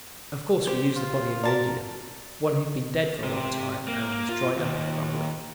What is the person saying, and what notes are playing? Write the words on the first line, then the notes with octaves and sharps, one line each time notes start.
Of course we used the body of an Indian, one who had been dead for a long time and was dried up and crumbly.
G4 C5
F4
F#4 A#4 D5 A5 A#5
C3
A#3
F4
D#2